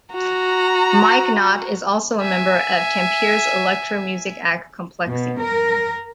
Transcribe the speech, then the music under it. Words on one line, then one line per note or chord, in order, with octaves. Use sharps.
Mike Not is also a member of Tampere's electro music act Kompleksi.
F#4 A#5
E5 G#5
B2
A#4